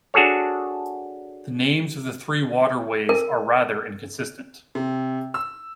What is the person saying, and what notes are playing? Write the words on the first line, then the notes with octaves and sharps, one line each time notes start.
The names of the three waterways are rather inconsistent.
D4 F#4 G#4 A4 C#5
A#4
C3
E6